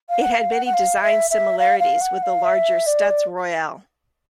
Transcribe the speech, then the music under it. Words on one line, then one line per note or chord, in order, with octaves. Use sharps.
It had many design-similarities with the larger Stutz Royale.
F5
F#5
F5
F#5
F#5
F5
E5
E5
F5
F5
F#5
F5
E5
D5